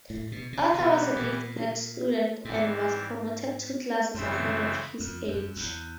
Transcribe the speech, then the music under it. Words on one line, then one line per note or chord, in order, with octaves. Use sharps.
Arthur was a gifted student and was promoted two classes ahead of his age.
A2
B2
C3
B2 E3 G3 B3
A#2
G#2 E3 G3 C4
F#2 C#3 E3 A3 C4
F2
F#2
E2